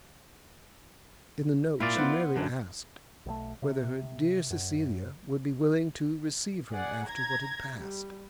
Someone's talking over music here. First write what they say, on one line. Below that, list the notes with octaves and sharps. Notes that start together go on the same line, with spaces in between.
In the note she merely asked whether her "dear Cecilia" would be willing to receive her after what had passed.
A#2 E4 F4 D5
B3 B4 C5
F#2 D3 F#3
B1 B2 D#3 A3
C3
F#2
G#4 D5 F#5
A#5 G#6 A#6
G3